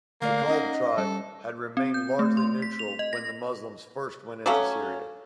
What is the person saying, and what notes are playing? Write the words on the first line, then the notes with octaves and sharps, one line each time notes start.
The Kalb tribe had remained largely neutral when the Muslims first went into Syria.
D3 A3 A#3 D5 F5
C#4 D#4 D#5 F#5
G3 C#4 A4
C4
G6
A3
C6
B6
F7
D#5
A#6
F#3 A3 C#4 A4 F5 D6